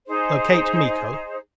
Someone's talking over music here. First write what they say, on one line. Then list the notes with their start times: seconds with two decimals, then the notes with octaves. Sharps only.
Locate Miko.
0.07 D#4 G#4 C5